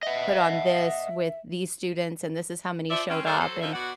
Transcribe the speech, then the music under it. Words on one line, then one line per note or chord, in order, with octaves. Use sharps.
"put on this with these students, and this is how many showed up, and,"
D#5 E5 F#5
F3 D5 E5
C4 C#4
G3 A4 C5 D5 E5 F5
F#3 A4 C5
D3 C4 D#4 F4 E5
B2 F#4 D5 F#5